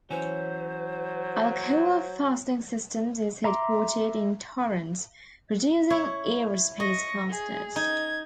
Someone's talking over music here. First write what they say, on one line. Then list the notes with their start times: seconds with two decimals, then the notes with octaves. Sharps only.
Alcoa Fastening Systems is headquartered in Torrance, producing aerospace fasteners.
0.10 E3 F#3 C#4 C5
3.44 E5 A#5 C6 D6
5.90 E4 C#5
6.80 D#5 C#6 A#6
7.29 G#4
7.76 D#4 G#6